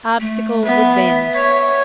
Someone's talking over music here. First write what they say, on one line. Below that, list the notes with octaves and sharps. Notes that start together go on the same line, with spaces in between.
Obstacles would vanish.
A3
B3 E5
C#5